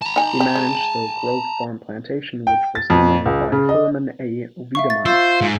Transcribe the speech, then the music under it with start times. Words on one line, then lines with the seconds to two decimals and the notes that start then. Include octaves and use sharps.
He managed the Grove Farm Plantation which was then owned by Hermann A. Widemann.
0.02 A5 A#5
0.16 D#4 G#5
0.40 G4
0.55 G#3
2.47 G5
2.75 A6
2.90 F2
3.25 C#2
3.52 C#3
3.69 D#5
4.75 E5 F5 C#6
4.90 A6
5.06 F4 C5 E6 A6
5.41 G#2